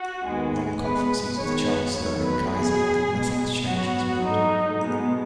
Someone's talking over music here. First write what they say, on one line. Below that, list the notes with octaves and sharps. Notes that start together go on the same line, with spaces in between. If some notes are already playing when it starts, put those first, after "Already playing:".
Long conferences with the Chancellor and Kaiser did nothing to change his mood.
Already playing: F#4
D#2 D#3 G#3 B3
B2 G#3 B3 B4
F#2 D#3 G#3 B3 C#5
B4
E2 D#3 F#3 A3 C#5
B4
B2 F#3 B3 G#4
B2 G#3 B3
G#2 F#3 B3 F#4
G#2 F#3 A3 D#4
B2 G#3 B3